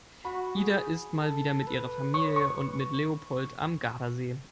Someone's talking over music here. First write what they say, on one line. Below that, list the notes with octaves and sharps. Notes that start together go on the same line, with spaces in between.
Ida ist mal wieder mit ihrer Familie und mit Leopold am Gardasee.
F#4 B5
G#4
A4
B4
C#5 C#6
C#6
B4